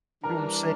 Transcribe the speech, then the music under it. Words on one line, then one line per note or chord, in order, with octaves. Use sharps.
You know I'm saying?
E3 G3 D4 A#4